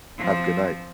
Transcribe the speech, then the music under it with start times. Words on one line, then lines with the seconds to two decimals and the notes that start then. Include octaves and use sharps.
Have a good night.
0.18 F3 C4